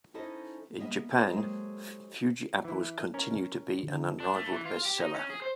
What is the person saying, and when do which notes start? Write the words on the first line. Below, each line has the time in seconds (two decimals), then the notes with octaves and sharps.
In Japan, Fuji apples continue to be an unrivaled best-seller.
0.14 C#4 D#4 E4 A4 C5 D#5
0.78 G3 A#3 B3 D#5 E5
1.32 F#3 G#3 A#3 G4 A4 C5
2.65 E3 E4
3.14 C#4 A#4
3.83 D3
4.20 D4
4.35 A3
4.52 E3
4.65 F4
4.85 G4
5.00 D#4
5.15 C#4
5.30 G#4
5.42 C5